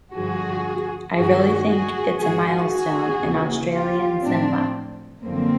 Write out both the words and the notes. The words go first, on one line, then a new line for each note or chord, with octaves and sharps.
I really think it's a milestone in Australian cinema.
G2 D3 F3 F#4 G#4
G2 D#3 F#4 G#4
F#4 G#4
G#2 D#3 F#4 G#4
F#4 G#4
D#2 C#3 E3
F4 G4
A2 F3 C4 D4
F#2 D3 F3 A#3 C4